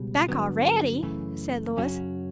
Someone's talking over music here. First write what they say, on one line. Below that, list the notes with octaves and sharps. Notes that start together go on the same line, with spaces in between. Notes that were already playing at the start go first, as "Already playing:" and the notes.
"Back already!" said Louis.
Already playing: C#2 B2 G3
G2 D3 F#3 B3
F#2 C#3 E3 A3
F#2 C#3 F#3 C#4 F#4